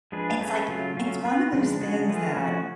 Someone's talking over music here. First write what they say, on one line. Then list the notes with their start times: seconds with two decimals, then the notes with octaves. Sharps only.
It's like it's one of those things that,
0.12 F3 G#3 D4 G#4 B4
0.41 A3 C#4 G#4 B4
0.68 C#3 F#3 A3 F4
0.97 F#3 A3 C#4 F4
1.25 B3 F4 B4
1.53 C#3 F3 G#3 D4
1.81 C#3 G#3 D4 F#4
2.09 F3 A3 F4 G#4 B4
2.37 F3 A3 C#4 F#4